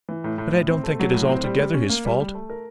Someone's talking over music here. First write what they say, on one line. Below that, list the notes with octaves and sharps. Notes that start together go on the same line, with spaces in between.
But I don't think it is altogether his fault.
E3
A2
A2
A2
C4
A3
F#3
A2
C4
G3
G3
C#4
A#3
G3
G3
A3
A#4